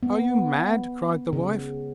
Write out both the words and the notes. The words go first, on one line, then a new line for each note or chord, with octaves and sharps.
'Are you mad?' cried the wife.
B3
C#3